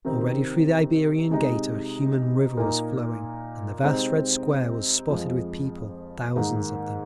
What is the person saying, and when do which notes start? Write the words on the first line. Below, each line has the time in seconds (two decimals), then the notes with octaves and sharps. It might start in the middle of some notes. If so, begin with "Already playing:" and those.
Already through the Iberian Gate a human river was flowing, and the vast Red Square was spotted with people, thousands of them.
0.05 C3 D#3 C4 D#4
1.30 C3 G#3 D#4
2.57 A#2 A#3 D#4
3.82 C3 G#3 C4 D#4
5.09 F2 F3 G#3
6.36 G#2 D#3 A#3 D#4